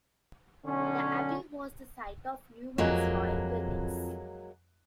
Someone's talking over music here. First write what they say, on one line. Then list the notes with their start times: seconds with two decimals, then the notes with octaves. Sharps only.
The abbey was the site of numerous royal weddings.
0.66 B1 D3 C#4
2.78 F2 F#3 G#3 A#3 F#6